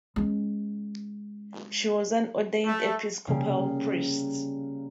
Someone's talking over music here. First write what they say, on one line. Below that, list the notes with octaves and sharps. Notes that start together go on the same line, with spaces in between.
She was an ordained Episcopal priest.
G#3 C#4
A3
C#3 G3 A#3